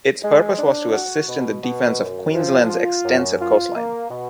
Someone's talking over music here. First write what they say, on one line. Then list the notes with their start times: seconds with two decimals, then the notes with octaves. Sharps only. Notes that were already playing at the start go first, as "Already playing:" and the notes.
Its purpose was to assist in the defence of Queensland's extensive coastline.
0.24 G#3
0.58 D4
0.93 F#4
1.28 B2
1.63 B2
1.99 F#2
2.34 F3
2.69 F4
3.05 F#2
3.40 F4
3.75 A#3
4.10 B2